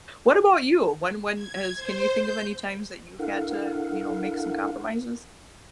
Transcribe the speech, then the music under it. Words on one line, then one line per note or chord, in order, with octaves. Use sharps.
what about you? When when is can you think of any times that you've had to, you know, make some compromises?
G#6
C5
G6
D4 E4 A4 A#4 F5 F#5